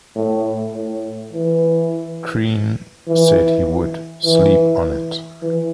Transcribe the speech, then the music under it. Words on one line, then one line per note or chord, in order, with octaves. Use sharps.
Crean said he would "sleep on it".
A2
A2
E3
E3
E3
E3